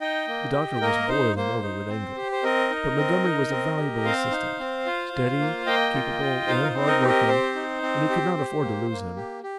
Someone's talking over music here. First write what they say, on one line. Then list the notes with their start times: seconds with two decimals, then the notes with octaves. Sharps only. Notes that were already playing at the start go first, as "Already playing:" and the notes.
The doctor was boiling over with anger, but Montgomery was a valuable assistant--steady, capable, and hardworking--and he could not afford to lose him.
0.01 D#4 D#5 G5
0.28 A#3
0.54 G4
0.81 A#3 A#4 D#5
1.09 D#4 C5
1.36 A#3 C5
1.62 D#4
1.89 C4
2.17 G4
2.32 C5
2.43 C4 A#4 D#5
2.71 D#4
2.97 C4
3.24 D#4
3.51 C4
3.78 G4
4.05 C4 C5 F5
4.31 D#4
4.60 C4
4.86 F4
5.13 F4
5.40 A#3
5.66 A#3 D#5 G5
5.94 F4
6.20 F4
6.47 D#4 C5 F5
6.63 A#4
6.68 C5
6.75 C4
6.87 A#4 D#5
7.01 G4
7.08 A#4 D#5
7.28 C4 C5
7.55 D#4
7.82 C4
8.09 G4
8.36 G4
8.63 A#3
8.90 A#3
9.16 G4
9.43 G4